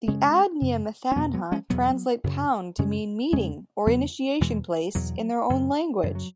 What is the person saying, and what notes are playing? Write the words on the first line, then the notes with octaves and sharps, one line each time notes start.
The Adnyamathanha translate Pound to mean 'meeting' or 'initiation place' in their own language.
F#2 C#3 G#3 C#4
F#2 C#3
C#4
E2 B2 F#3 B3
F#3 B3
G#3 C#4
E2 B2 F#3 B3
F#2 C#3
F#2 C#3 G#3 C#4
E2 C#3 G#3 C#4
E2 C#3 F#3 B3
E2 B2 E3 G#3
E2 B2 F#3
F#2 C#3
F#2 C#3 E3
F#3